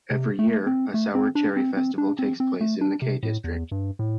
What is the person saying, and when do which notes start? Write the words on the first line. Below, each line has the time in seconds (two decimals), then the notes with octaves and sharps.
Every year, a sour cherry festival takes place in the Cay district.
0.11 C3
0.39 A3
0.66 C4
0.94 A3
1.15 C4
1.35 D4
1.56 C4
1.77 C4
1.98 D4
2.19 C4
2.40 C4
2.61 A3
2.81 D4
3.02 C3
3.23 A2
3.44 E2
3.71 G2
3.99 A2